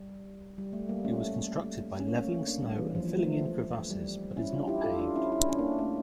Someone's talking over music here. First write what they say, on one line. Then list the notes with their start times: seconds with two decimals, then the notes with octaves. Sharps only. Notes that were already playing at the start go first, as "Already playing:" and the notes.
It was constructed by leveling snow and filling in crevasses, but is not paved.
Already playing: G3
0.58 G3
0.73 A3
0.89 G3 A#3
1.05 A3 C#4
2.00 C#4
2.08 A#3
2.14 A3 C#4
2.47 A#3 D4
2.62 G3
2.78 E3
2.95 F3
3.19 A3
3.90 G3
4.36 C#4 E4
4.52 D4 F4
4.68 E4 G4
4.84 F4 A4
4.99 D4 F4
5.16 C#4 E4
5.32 E4
5.41 D4
5.49 C#4
5.59 A#3 D4
5.79 A3 C#4